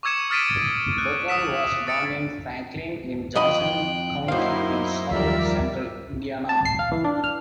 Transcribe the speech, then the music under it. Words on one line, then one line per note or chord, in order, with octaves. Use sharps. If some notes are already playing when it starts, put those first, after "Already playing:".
Duggan was born in Franklin in Johnson County in south central Indiana.
C#6 D6 E6 G#6 C#7 E7
D#6 F6 A6 B6 D7 D#7
F#6
D#6 E6 B6 E7
D#6 A6 C#7 D7
F2 D#5 G5 B5 F#6
F#2 A#3 D#4 E4 C5 F5
D#2 F3 G3 A#4 D5 E5
A5
C7
F5
E3
D4
F6